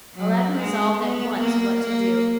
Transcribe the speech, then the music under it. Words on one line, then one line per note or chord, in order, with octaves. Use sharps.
Aladdin resolved at once what to do.
F#3
G#3
B3
A#3
A#3